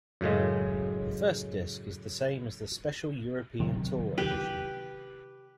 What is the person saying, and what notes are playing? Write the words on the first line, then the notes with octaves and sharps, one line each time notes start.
The first disc is the same as the Special European Tour edition.
F#2 A2 C#3 G#3
C3 D#3 F#3
G4 B4